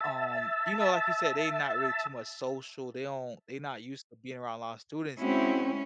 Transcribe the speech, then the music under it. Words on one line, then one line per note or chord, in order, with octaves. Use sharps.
um, you know, like you said, they not really too much social. They don't they not used to being around a lot of students.
E5 A5
G#3 C4 C#4 E4 F#4